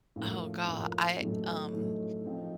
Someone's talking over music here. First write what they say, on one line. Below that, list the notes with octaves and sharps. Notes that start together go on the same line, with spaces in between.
Oh, go I, um
A2 F3 A#3
A2 F3 A#3
A2 F#3 A3 D#4
A2 F#3 A3 D#4
F3 C4 D#4